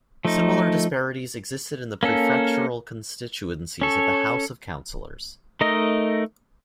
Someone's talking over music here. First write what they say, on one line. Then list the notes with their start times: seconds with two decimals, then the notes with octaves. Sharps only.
Similar disparities existed in the prefectural constituencies of the House of Councillors.
0.25 F3 A3 D#4
2.03 A#3 C#4 A4
3.82 C#4 A4 C#5
5.61 A3 D#4 A#4 D#5